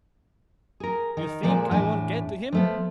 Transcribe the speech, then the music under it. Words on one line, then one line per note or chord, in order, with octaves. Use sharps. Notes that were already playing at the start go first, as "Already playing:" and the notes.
You think I won't get to him?
G#4 A#4
D#3
A#2 F3 G#3 A4 D5
E2 A2 D4 G#5
F3 A3 B3